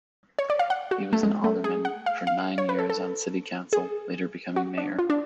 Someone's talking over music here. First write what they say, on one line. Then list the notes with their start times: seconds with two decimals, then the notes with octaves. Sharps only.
He was an alderman for nine years on city council, later becoming mayor.
0.39 C#5
0.50 D5
0.59 F5
0.70 F#5
0.91 F#4
1.13 A3
1.23 G#3
1.44 A3
1.64 G#4
1.85 F#5
2.06 F5
2.27 F5
2.58 C#5
2.69 B4
2.79 A4
2.90 A4
3.73 G#4
4.56 F#4
4.78 D4
4.99 F4
5.10 D4